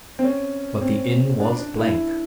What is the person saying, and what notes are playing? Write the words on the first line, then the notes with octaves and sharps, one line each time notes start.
But the inn was blank.
C4
C#4
C4
D4
D4
E4